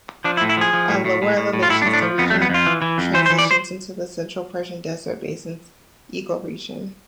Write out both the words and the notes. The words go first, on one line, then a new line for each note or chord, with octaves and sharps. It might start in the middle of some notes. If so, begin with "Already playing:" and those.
At lower elevations the region transitions into the Central Persian desert basins ecoregion.
F3 D4
E4
A2
E4
F3 G#4
F3
A2
A2
A2
A2
A2
F4
A2 E4
D4
A2
D4
F3
F2 B3
A3
F2
B3
F2 F4
E3
E3
F2
E3 C5
C5
E3
D5
C5